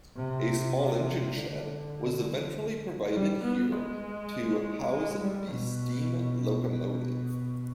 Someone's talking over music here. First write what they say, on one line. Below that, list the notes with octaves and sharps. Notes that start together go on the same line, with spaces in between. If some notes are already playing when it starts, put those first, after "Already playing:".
A small engine shed was eventually provided here to house the steam locomotive.
C3
D3
G3
B3
G#3
G#3
G3
B2
B2